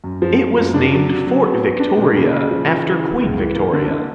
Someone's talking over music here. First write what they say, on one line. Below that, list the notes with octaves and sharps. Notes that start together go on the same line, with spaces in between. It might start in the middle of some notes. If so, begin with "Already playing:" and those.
It was named Fort Victoria after Queen Victoria.
F#2
F3
F3
F#2
D4
F#3
D4
F#3
B3
B3
D4
A#2
C#3
C#3
F3
C#3
E3
E3
C#2
E3
A#3
D3
D3